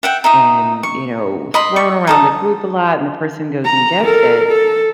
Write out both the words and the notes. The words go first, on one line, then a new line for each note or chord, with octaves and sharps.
and, you know, thrown around the group a lot and the person goes and gets it,
E5 F#5 G5
D#4 E5 D#6
C#6
D#5 B5 C6
C#6
D#4 A4 D#6
A#5
A4 A#4
A4